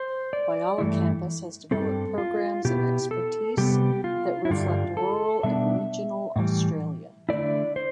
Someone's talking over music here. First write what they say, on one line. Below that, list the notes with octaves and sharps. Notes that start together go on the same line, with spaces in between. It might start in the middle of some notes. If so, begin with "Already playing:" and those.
Whyalla campus has developed programs and expertise that reflect rural and regional Australia.
Already playing: C5
D5
G2 E3 A3 E4
G2 D3 G3 C4 A4
F4
B2 B3 E4 G4
A4
C3 G3 B3 G4
F4
E4
G2 D3 G3 D4 F4
A4
B2 G3 B3 D4 E5
A2 E3 G3
D3 A3 E4 D5
C5